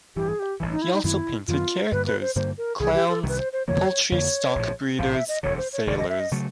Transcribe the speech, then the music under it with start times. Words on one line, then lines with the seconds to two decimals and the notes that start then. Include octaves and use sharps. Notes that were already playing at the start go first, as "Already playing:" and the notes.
He also painted characters: clowns, poultry stockbreeders, sailors.
0.16 A1 G2 E3 G4
0.28 G#4
0.39 G4
0.60 A1 G2 E3
0.71 D#4
0.82 E4
0.93 D#4
1.04 F#2 D#3 F#3 B3 E4
1.48 F#2 D#3 F#3 B3 F4
1.92 G2 D3 G3 A#3 B4
2.07 B4
2.21 C5
2.36 G2 D3 G3 A#3 C5
2.58 A#4
2.79 C2 C3 D#3 G3 G#4
2.95 G4
3.09 A4
3.23 C2 C3 D#3 G3 B4
3.38 C5
3.53 C5
3.68 F2 D3 F3 A#3 C#5
4.12 F2 D3 F3 A#3 C#5
4.55 A#1 A2 F3
4.99 A#1 A2 F3 F5
5.14 E5
5.28 D#5
5.43 E1 D2 D3 C#5
5.58 C5
5.73 C#5
5.87 E1 D2 D3 D5
5.98 D#5
6.09 E5
6.20 D#5
6.31 C#3 F#3 A3